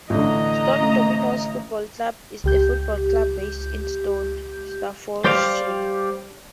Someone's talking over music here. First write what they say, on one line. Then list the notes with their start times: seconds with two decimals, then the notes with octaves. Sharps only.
Stone Dominoes Football Club is a football club based in Stone, Staffordshire.
0.10 A1 D3 D4 F4 D#5 A#5
0.80 A3 C#4
2.44 C#2 G4 G6
5.24 G3 G4 C5 D5 F5